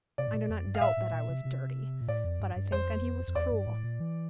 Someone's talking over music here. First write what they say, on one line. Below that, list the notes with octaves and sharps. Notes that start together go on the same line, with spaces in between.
I do not doubt that I was dirty;--but I think that he was cruel.
C3 D5
A2
A#2
F2
G2
F5
A2 E5
A2
A#2
C3
C3
A#2
A2 D5
F2
G2
G2
F2 C5
F2
E2 D5
G2
A2
A#2
E3